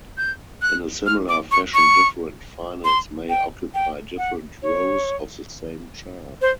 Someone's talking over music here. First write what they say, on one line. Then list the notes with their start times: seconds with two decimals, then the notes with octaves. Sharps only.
In a similar fashion different finals may occupy different rows of the same chart.
0.18 G6
0.62 F#6
1.06 F6
1.29 D6
1.51 C#6
1.74 C#6
2.84 C6
3.29 G5
3.74 G5
4.18 F#5
4.63 C#5
6.42 C5